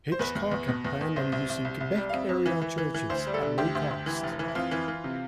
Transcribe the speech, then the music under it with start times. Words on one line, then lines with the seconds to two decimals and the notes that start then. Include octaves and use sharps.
Hitchcock had planned on using Quebec-area churches at no cost.
0.12 C5
0.19 E2 B4
0.35 E2
0.51 E2
0.69 B2
0.85 E2
1.01 E2
1.16 C2 C5
1.32 C2
1.49 C2
1.65 C2
1.80 C2
1.97 G3
2.09 F5
2.13 F2 E5
2.29 F2
2.46 E3
2.62 E3
2.78 E3
2.94 E3
3.10 D2 C5
3.27 G3
3.34 A4
3.43 D3
3.58 D2 G4
3.75 D2
3.91 D2
4.06 E3
4.23 F1
4.39 E3
4.48 E4
4.55 F2 F4
4.71 E3
4.88 E3
5.04 C3